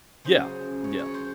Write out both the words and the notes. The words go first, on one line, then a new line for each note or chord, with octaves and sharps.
Yeah, yeah.
C#3 F#3 C#4 C5
C#5
C#5
C5